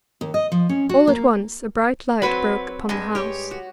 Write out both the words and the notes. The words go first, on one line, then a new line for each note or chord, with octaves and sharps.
All at once a bright light broke upon the House.
D#2
D#5
F3
C#4
F#4
A#3
F#3 C4 F#4 B4 B5
G2 G#3
G4 C#5
F#4